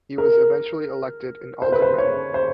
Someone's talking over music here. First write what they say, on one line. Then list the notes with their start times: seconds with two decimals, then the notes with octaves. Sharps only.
He was eventually elected an Alderman.
0.18 A#4
1.62 C5
1.72 B4
1.82 C5
1.98 C#5
2.34 C5